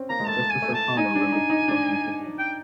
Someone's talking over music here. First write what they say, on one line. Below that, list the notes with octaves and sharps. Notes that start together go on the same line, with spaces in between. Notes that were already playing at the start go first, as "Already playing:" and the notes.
Justice O'Connor wrote a concurring opinion.
Already playing: C4 C#4
A#3 A#5
G#3
A3 A5
G#5
A3
A5
D#4 G#5
D4
D#4
D#4
D4
G5